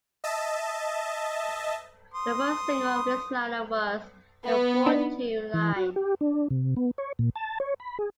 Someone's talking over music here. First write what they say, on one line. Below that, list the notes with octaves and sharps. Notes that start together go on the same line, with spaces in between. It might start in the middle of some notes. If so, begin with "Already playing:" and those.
The first single of this lineup was "The Fortune Line".
D#5 E5 A5
C6 D#6
B3
D4 D#4
E3
F#4
G4
D4
C3
B3
C#5
A#2
A5
C#5
B5
G#4